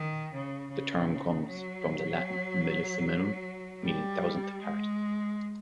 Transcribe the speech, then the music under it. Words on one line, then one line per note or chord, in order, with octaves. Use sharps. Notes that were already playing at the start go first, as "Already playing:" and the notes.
The term comes from the Latin "millesimum", meaning "thousandth part".
Already playing: D#3
C#3
C#3
F#3
G3
G#3